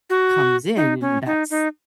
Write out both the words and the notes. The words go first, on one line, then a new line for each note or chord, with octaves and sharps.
comes in, and that's
F#4
D#4
C#4
D#4
D#4